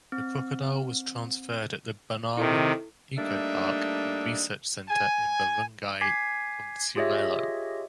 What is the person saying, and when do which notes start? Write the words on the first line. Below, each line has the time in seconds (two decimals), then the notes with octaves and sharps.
The crocodile was transferred at the Bunawan Eco-Park and Research Center in Barangay Consuelo.
0.12 C4
2.37 C3 D#3 E4 A4
3.17 G3 A3 A#3 D4 D#4 E5
4.89 G#5
6.01 G#5 D6 G#6 B6 C7
6.96 F4 G4 G#4 C#5 D#5 E5